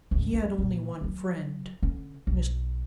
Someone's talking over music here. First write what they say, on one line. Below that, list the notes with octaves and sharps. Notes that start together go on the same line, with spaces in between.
He had only one friend--Mr.
C#2 G#2
F#2 E3
A#2 D3
D3 F#3
D3 C#4
B1